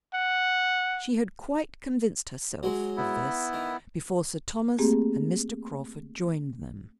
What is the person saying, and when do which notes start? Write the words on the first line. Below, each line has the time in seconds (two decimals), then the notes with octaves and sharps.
She had quite convinced herself of this before Sir Thomas and Mr. Crawford joined them.
0.14 F#5
2.63 F#3 G#3
2.97 B3 E4
3.53 D#3
4.78 A3 A#3 C4 G4 G#4